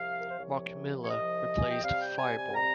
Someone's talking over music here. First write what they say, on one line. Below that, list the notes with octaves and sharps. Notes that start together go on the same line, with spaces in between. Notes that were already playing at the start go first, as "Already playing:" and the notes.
Mark Miller replaced Firebaugh.
Already playing: C2 C3 F3 F5
A#4
C5
C2 C3 F3 C#5
C#5
C2 C3 F3 D#5
G#5
G5
C3 G3 C4 F5
G5
G#5
G#5
C3 G3 C4 A#5